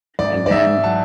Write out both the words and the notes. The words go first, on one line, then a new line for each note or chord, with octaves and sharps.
and then
G#2 D5
D5
G#2 E5
F#3 A5